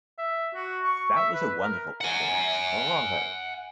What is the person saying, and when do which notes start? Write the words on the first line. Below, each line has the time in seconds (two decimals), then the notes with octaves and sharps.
That was a wonderful performance! Bravo!.
0.18 E5
0.55 F#4
0.84 C#6
1.16 E5
1.34 B4
1.62 A#4
2.01 F#5 G#5